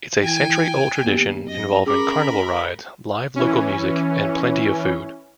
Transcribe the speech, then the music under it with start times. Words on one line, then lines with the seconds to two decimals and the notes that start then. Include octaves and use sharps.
It's a century-old tradition involving carnival rides, live local music, and plenty of food.
0.23 E3 G5 G#5
1.04 D#2 A#3 B3 G4
1.47 F#2 D#5
1.86 C#4 G#4 A#4 B5 D6
3.36 E3 C#4